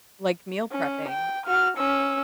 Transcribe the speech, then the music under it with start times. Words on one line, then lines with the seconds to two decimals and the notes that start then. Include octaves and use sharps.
Like, meal prepping.
0.72 C#4
1.09 G5
1.47 F#4 F6
1.78 C#4 E6